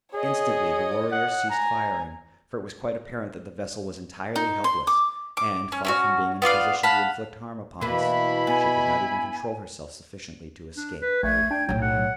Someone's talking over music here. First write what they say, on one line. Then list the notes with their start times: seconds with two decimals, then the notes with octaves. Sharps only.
Instantly the warriors ceased firing, for it was quite apparent that the vessel was entirely helpless, and, far from being in a position to inflict harm upon us, she could not even control herself sufficiently to escape.
0.14 G#4 C#5 D#5
1.12 F#5
1.50 G#5 A#5
4.36 D#4
4.64 C6
4.87 D6
5.37 D6
5.72 C#4
5.85 C#4 D4 F#4
6.42 B3 F4 D5 F5
6.83 F5 F#5 A5 B5
7.81 B2 E3 A#3 E4 B5
8.47 B3 G#5
10.77 D4
11.02 B4
11.23 A#1 A3 G#6
11.51 D4 G5
11.69 B1 A2 F#3
11.82 C#5 F#5